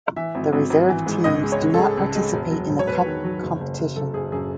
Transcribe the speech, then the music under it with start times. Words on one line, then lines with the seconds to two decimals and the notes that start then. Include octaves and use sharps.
The reserve teams do not participate in the cup competition.
0.16 E3 E5
0.35 G#1
0.53 G#1
0.70 G#1
0.89 E3
1.06 G#2
1.24 C#2 D#5
1.43 G#3
1.52 C#5
1.61 C#2
1.74 A4
1.78 G#3 G#4
1.97 C#2
2.15 G#3
2.33 E1
2.51 F#3
2.70 E1
2.79 C#5
2.87 E1 B4
3.06 D#3
3.24 F#3
3.42 F#1
3.61 F#1
3.79 F#1
3.96 F#2 A4
4.14 F#1 G#4
4.32 F#2 G#4